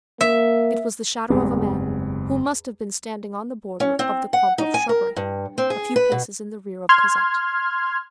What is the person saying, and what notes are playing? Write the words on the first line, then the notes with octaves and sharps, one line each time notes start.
It was the shadow of a man, who must have been standing on the border of the clump of shrubbery, a few paces in the rear of Cosette.
A#3 E5
F#1 E2 G#2 G3 C4
C#4
C4
F#5
D#4
G#5
A#4
G2
C4
G#4
B4
B2
C6 F6 G#6